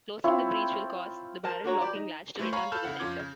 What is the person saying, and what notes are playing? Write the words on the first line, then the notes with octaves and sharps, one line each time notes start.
Closing the breech will cause the barrel locking latch to return to center.
C4 E4 F4 C#5
A#4 C5 A5
D4 F#4 C#5 A#5
G4 B4 D5
D#4
A#2 A3 E4 B4 C5 C#6
C#5 F5 G#5 A#5 B5 C#6
A4 F5 A5 B5 F6 G6
C#3 E4 F#5
F2 C#4 F4 D6 G#6
C#3